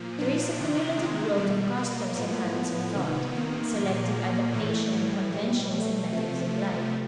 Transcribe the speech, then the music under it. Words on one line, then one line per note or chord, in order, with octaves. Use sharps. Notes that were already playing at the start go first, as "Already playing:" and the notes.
There is a cumulative growth of customs and habits of thought; a selective adaptation of conventions and methods of life.
Already playing: A#2 F3
D4
C3 D#3
G#3
B2 G3
A#3
A2 F3 B3
C3 D#3 B3
A#3
A#2 F3
A2 E3 A3
G3
B2 G3
A3
C3 F3